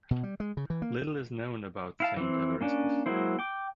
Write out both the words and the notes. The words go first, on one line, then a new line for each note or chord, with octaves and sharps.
Little is known about Saint Evaristus.
B2
G3
G#3
C#3
E3
A#3
E4 F5 A5
E3 C4
A#3 C#4 D4
F#3 G#3 A#3 E4 C5
G5 D6